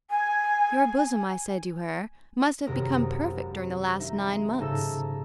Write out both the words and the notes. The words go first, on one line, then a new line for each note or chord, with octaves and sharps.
"Your bosom," I said to her, "must have become perfect during the last nine months."
G#5
G#1 F#2 C3 A#4 D#6
D#4 E5
G#2 C#3 D#4 A4 A5 E6